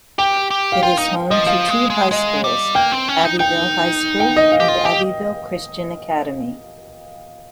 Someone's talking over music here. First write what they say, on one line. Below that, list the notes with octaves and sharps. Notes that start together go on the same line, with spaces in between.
It is home to two high schools: Abbeville High School and Abbeville Christian Academy.
G4 G5
G4
F5
F4 G5
D#4
F3 D#5
F3 F5
G#3
G#3
G#3 D#5
G3
A#3 G5
C4
C#4
D#4
D#4 G5
G5
D#5
F5
G4
F4
G4